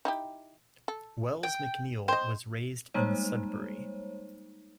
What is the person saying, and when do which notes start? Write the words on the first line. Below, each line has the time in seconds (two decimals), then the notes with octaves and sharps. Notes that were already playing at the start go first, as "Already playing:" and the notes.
Wells-McNeil was raised in Sudbury.
0.05 D#4 E4 G4
0.88 A4
1.43 G5
2.08 C5 D#5 G5
2.94 G3 G#3 A#3 D#4 C5 C#5